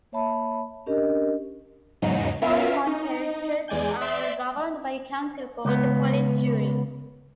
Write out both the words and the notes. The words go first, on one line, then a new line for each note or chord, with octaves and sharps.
Forty-one parishes are governed by a council called the Police Jury.
A#3 C#5 E5 A5 B5
C#4 D4 G4 A#4 D#5
E2 G#2 C#3 F#3 D#4
B3 C#4 F4 A#4 E5 F5
D#4
E2 G#3 D5 G#5 G6
D5 E5 C6
C#2 B3